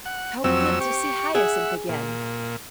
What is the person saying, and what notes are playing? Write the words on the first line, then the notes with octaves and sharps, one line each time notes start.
How good to see Hyacinth again!
F#5
F2 F#3 C4 E6
G4 C#6
G#4 E5 F#5
A#2